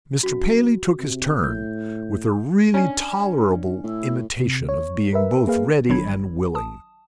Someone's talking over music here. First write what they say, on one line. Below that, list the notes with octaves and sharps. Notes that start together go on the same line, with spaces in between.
Mr. Paley took his turn, with a really tolerable imitation of being both ready and willing.
F#2 F#4
C3
A2 G6
C#4 D4 G#5
A2 E4
C3
C#5
A#4 B4 E5
A#3 G#4 B4 F5
G1 D#3 F#3 D4 B5 G#6
A5 D#6